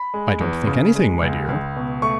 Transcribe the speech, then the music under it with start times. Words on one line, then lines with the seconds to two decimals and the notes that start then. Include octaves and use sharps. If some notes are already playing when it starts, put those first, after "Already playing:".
"I don't think anything, my dear."
Already playing: B5
0.14 G#3
0.41 E2
0.67 C#3
0.95 G#3
1.22 C#2
1.49 C#2
1.76 B2
2.02 A3 C#6